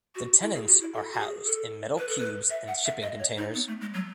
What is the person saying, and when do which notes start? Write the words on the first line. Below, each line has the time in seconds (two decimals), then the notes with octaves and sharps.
The tenants are housed in metal cubes and shipping containers.
0.15 F#4
0.42 E4
0.55 G#4
0.67 F#4
0.81 E4
0.94 A4
1.13 F#4
1.20 G#4
1.46 A4
1.98 B4
2.09 A4
2.19 B4
2.50 E5
2.68 F#5
2.85 E5
3.02 D#5
3.20 C#5
3.38 D#4
3.55 B3
3.68 A3
3.81 G#3
3.94 F#3